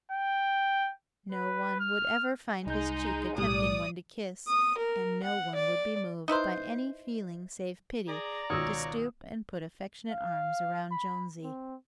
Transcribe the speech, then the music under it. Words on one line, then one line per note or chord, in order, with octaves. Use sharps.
No one would ever find his cheek a tempting one to kiss, and no one would be moved, by any feeling save pity, to stoop and put affectionate arms around Jonesy.
G5
B4
F6
C2 G#3 D#4 G6
B1 A2 G3 D5 D#6
D#6
A#4
F#5
D5
D#4 E4 B4 C5
G#4 D5 A#5
C#2 B2 D#3 C#5 D#6 E6
F5
B5
C4